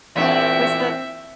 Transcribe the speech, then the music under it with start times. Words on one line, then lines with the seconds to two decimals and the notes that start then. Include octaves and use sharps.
Was that
0.16 E2 A#2 C4 D4 E5